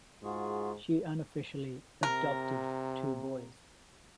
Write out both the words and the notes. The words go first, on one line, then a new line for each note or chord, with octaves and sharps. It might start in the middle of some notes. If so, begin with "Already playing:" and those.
She unofficially 'adopted' two boys.
G#2 F4 F#4 G#4
C3 A#4